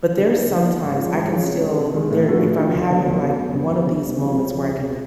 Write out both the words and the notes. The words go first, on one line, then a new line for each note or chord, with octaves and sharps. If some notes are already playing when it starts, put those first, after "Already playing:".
but there's some times I can still there if I'm having, like, one of these moments where I can f
D3
F#3 A#3 D#4 F#4
D3
F#3 A#3 D#4 F#4
G#2
F3 G#3 C#4 F4
G#2
F3 G#3 C#4 F4
C3
D#3 G#3
C3
D#3 G#3
A2
F3 A3 D4 F#4
A2
F3 A3 D4 F#4
D2
D3 F#3 B3
D2
D3 F#3 B3
F#2
D3 G3 B3
F#2
D3 G3 B3
C2
C3 F3 G#3 C#4
C2
C3 F3 G#3 C#4
C#2
B2 G#3